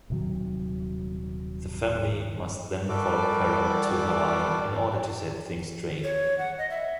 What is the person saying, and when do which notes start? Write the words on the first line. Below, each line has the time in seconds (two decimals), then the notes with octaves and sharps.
The family must then follow Carol to Hawaii in order to set things straight.
0.10 D#1 C3 D#3 F#3
2.89 D#3 E3 G3 F#4 A4 D5 G5 D6
6.04 C#5
6.38 F#5
6.58 D#5
6.70 E5